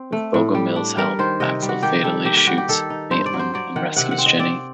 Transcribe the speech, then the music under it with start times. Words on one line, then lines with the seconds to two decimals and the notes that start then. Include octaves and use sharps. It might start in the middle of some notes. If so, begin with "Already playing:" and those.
With Bogomil's help, Axel fatally shoots Maitland and rescues Jenny.
Already playing: C4
0.12 A3
0.34 A2
0.55 G3
0.76 D4
0.97 G3 A#4
1.19 D#3 C5
1.40 C3 D#5
1.62 G3
1.69 F#4
1.83 D#3 G4
2.04 G3 A4
2.25 A#3 G4
2.37 G4
2.47 G3 F#4
2.58 G4
2.68 D#3 A4
2.90 D#4
3.11 G2 C5
3.26 D5
3.33 F#3
3.39 C5
3.54 F#3 D5
3.76 D#3 F#5
3.96 C3 F#5
4.11 F#5
4.18 C4
4.26 D#5
4.39 C4 D5